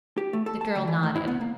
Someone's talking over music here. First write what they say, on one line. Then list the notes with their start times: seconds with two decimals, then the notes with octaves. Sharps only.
The girl nodded.
0.18 G4
0.33 A3
0.46 A4
0.61 A5
0.75 D2
0.87 E3
1.03 A2
1.16 E4
1.28 B3
1.41 A#3